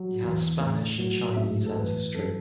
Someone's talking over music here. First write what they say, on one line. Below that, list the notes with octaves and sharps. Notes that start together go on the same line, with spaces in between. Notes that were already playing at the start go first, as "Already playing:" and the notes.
He has Spanish and Chinese ancestry.
Already playing: F#3
E2
A2
F#3
A2 E5
A4
E3 B4
F#2 A4